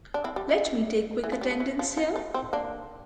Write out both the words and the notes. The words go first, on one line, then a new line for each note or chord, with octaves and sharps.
Let me take quick attendance here.
D4
C4 E4
G3
E3
E3
F3
G3
F3
E3
F3
F3
A3
C4
A#3 D4